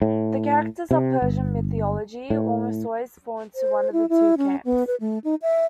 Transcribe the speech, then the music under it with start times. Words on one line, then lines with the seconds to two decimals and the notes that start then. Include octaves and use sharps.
The characters of Persian mythology almost always fall into one of two camps.
0.02 A2
0.91 C3
1.22 G1
2.30 A2
3.55 C5
3.92 E4
4.09 E4
4.38 C#4
4.65 B3
4.87 B4
5.00 A3
5.24 D#4
5.42 E5